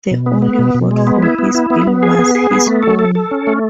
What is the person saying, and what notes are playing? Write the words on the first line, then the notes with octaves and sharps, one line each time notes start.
The only vote for his bill was his own.
B2
B3
B3
B2
B2
G#3
B3
E4
B3
E4
B3
B3
G#4
B3
G#4
B3
A3
A4
A4
A4
C#4
A3